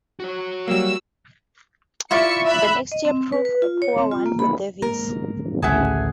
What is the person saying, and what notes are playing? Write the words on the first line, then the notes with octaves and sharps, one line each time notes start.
The next year proved a poor one for Davis.
F#4 C#5
F#3 G3 A#3 E6
E4 F4 D5 E5 C#6 C#7
E5 B5 F#6
D#5
C4
B4
B4
F4
C#5
C4
F4
A#3
B5
G#2 A#3 A#4
A1 D2 C#3 G#4 E5 F#5 G#5 A5